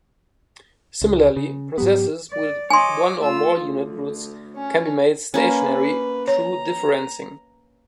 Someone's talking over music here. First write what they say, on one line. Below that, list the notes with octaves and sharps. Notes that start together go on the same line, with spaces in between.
Similarly, processes with one or more unit roots can be made stationary through differencing.
C#2
C#3
G#2 F#3 B3 G4
D5
C#5 D#5 G#5 C6 D6
A3 F4 E6
D2
C#4
A#3 C#4 B4
C#5 A#5